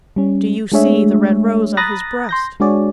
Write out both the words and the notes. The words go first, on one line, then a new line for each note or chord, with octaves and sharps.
Do you see the red rose on his breast?
G3 C#4
G#3 A3 D4 G#4 C#5 E5
A#5 B5 D#6 F#6 A6 A#6
C6 G6 A#6
G#3 D4 F#4 G#4 C#5 D5